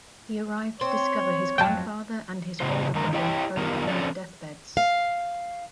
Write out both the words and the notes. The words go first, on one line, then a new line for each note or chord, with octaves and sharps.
He arrived to discover his grandfather and his older brother both on their deathbeds.
C4 C#5 C6
F2 G#2 F#3 G5 A5
A2 C#3 B3 F#4 C5
D3 D#3 G#3 A#3 A#4 A#5
E4 G4 C#5 D#5 G5
D#3 B3 D#4 F4 G4 A#4
C4 C#4 F#4 A4 C#5 D5
F5